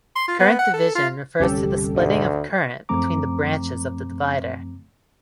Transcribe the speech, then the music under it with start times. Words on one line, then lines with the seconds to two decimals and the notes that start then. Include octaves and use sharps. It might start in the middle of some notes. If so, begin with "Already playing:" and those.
Current division refers to the splitting of current between the branches of the divider.
0.16 C6
0.28 F4
0.39 B3
0.59 F#5
0.73 A4
0.95 F4
1.40 G1 C2 C#4 G4 A4
1.96 D2 G#2 B2
2.89 F#2 F3 A3 C4 A#5 D6